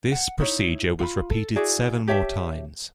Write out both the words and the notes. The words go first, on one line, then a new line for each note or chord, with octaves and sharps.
This procedure was repeated seven more times.
F#5
D#4 E4 C#5
F4 F#5 B5
A4
E4 F#4 G#4 D5
G4 C#5 E5 A5